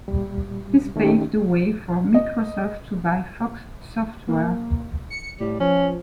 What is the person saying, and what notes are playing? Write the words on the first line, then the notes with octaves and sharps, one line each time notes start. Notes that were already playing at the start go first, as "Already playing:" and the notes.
This paved the way for Microsoft to buy Fox Software.
A#2 G3
D#3 A3 C#4 D#4 G4
D#5
A#3
C#7
A2 G3
F3 C#4